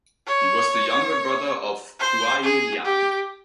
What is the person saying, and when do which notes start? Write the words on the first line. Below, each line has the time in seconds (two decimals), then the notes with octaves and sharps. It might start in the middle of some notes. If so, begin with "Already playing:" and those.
He was the younger brother of Kuai Liang.
0.27 C#5
2.00 C5
2.43 G#4
2.85 G4